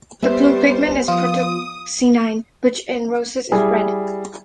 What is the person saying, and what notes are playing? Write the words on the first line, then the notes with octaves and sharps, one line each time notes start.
The blue pigment is protocyanin, which in roses is red.
G3 B3 C5 E5
F3 F4 D#6
G3 E4 G#4